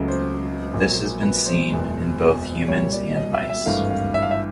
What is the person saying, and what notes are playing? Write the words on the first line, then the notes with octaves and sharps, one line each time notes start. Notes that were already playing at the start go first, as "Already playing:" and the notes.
This has been seen in both in humans and mice.
Already playing: C#2 C#3 F#3 A3
C5
A#1 A#2 F#3
B4
C5
F#1 E2 B2 G#3
C2 A#2 G3 C#5
D5
D#5
E5
E5
G#1 G2 E3 A3 F5
F5
E5
F5
E5